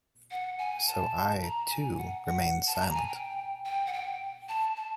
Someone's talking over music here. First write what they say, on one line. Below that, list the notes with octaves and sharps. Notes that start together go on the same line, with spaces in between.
So I, too, remained silent.
F#5
G#5
A5
A#5
G#5
F#5
F#5
A5
A#5
G#5
G5
G5
F#5
G5
A5
A5